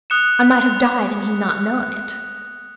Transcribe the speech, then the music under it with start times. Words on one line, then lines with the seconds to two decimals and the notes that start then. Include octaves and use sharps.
I might have died and he not known it!
0.10 D#6 F#6 C#7 E7